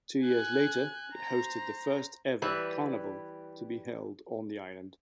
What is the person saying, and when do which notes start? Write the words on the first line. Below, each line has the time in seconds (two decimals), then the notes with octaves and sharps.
Two years later, it hosted the first-ever carnival to be held on the island.
0.24 G#5 F#6
1.14 C5 A#5
2.42 E3 G3 B4